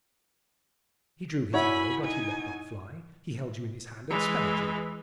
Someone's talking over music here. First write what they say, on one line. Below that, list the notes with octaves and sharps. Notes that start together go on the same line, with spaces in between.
He drew his arrow, but he let not fly; he held you in his hand, and spared you!
E4 F#4 C#5 G#5 B5
D#4 G#5
E3 G#3